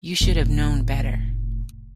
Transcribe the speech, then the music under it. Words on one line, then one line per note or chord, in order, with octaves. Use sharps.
You should have known better.
F1 A2